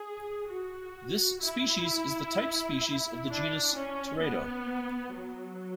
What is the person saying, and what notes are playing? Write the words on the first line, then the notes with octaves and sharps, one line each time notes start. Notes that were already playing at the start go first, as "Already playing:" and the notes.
This species is the type species of the genus "Teredo".
Already playing: G#4
F#4
E4
D4
C#4
B3
F#3